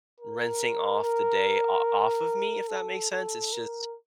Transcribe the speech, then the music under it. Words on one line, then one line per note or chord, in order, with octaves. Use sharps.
rinsing off the day o off of me, if that makes sense. It's just
A#4
A#4
A4
A4
A#4